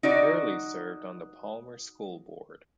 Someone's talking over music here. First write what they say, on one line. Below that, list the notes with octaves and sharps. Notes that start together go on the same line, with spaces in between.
Hurley served on the Palmer School Board.
D#4 F#4 D5